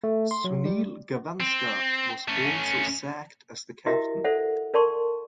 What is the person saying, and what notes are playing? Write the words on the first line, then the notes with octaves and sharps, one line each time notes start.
Sunil Gavaskar was also sacked as the captain.
A3
C6
F#3
G3
C4
A3 C#4
E4 F#4 G4 A#4 D#5 E5
A4 C5 D5 E5 F#5
A#4 D5 A5 C6 C#6